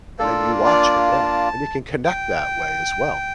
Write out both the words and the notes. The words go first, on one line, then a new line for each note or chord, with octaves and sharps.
And then you watch it, yeah. And you can connect that way as well.
A#3 D4 F4 A4
D5
A5
G5